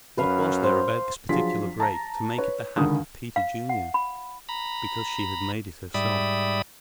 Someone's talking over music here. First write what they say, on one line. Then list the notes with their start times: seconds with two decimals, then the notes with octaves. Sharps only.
What was there about this particular break to make it the hat of Peter Junior? Because she had made it herself.
0.18 F#2 B4 F5
0.63 C5
1.29 F3 F#3 D4 F4 G#4 B6
1.80 A5 A#5 A#6
2.38 B4 C#5
2.77 C#2 D3 D#3 D#6
3.36 F5
3.69 F#5
3.94 B5
4.49 A#5 B5
5.94 G#2 G3 D5 E5 B5 D#6